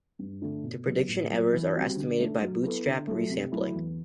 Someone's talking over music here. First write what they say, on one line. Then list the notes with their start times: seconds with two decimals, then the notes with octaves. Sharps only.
The prediction errors are estimated by bootstrap re-sampling.
0.19 G2
0.41 D3 A3 D4
0.63 B2
0.85 F#3 B3
1.08 A2
1.30 F#3 B3 F#4
1.52 E3
1.74 G3 C4 F#4
1.97 D3
2.19 A3 D4
2.41 F#3
2.63 B3 E4 A4
2.85 D3
3.07 F#3 A3
3.29 C3
3.52 F#3 A3 E4
3.73 E2